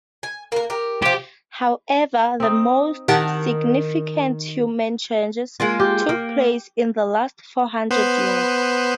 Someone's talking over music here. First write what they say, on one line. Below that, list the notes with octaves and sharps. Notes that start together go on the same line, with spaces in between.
However, the most significant human changes took place in the last four hundred years.
G#5
A#3 A#4
G4 A#4
C3 F3 G4
C4 D#4
D#3 G4 F#5 A5
G#3 A#3 F4
G4
A#3
B3 B4 C5